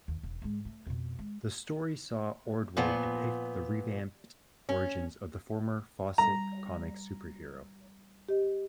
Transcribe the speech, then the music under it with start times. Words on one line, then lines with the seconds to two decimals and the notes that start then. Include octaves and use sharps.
The story saw Ordway depict the revamped origins of the former-Fawcett Comics superhero.
0.08 D#2
0.23 E1
0.42 G#2 G#3
0.65 A3
0.87 F2 B2
1.19 G#3
2.77 A#2 F3 B3
4.69 C#4
6.18 G3 A#5
8.29 G4 D#5